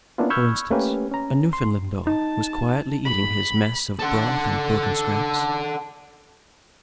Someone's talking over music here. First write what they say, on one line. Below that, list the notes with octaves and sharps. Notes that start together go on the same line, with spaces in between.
For instance, a Newfoundland dog was quietly eating his mess of broth and broken scraps.
A#3 B3 C#4 D4 E4 F4
B5 C#6 E6 F6 G6 G#6
A3 A#3 C#4 G4 B4
C#4 A#5
C6
D#4 A5
B5
A4 F#5